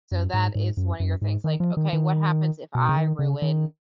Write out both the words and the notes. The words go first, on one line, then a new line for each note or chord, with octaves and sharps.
So that is one of your things, like, "Okay, what happens if I ruin"
F#2
G#2
G#2
F#2
F#2
G#2
D#3
F3
D#3
D#3
B2
C#3
D#3
C#3
D#3